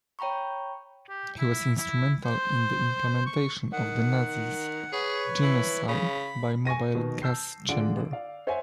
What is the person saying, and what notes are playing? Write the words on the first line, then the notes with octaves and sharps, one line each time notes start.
He was instrumental in the implementation of the Nazis' genocide by mobile gas chamber.
C#5 G5 A#5 B5 C#6
G4
E4
E4
C5
C#6
D#3 F#5
G#4 B4 C#5
E3
C#3 B5
G#5 C#6 A#6 D#7
B2 D#3
A5 E6 G6 C7
D3 F4 G#4 D5 F#5 D7
D5 F5
C5 C#5 E5 F#5 G#5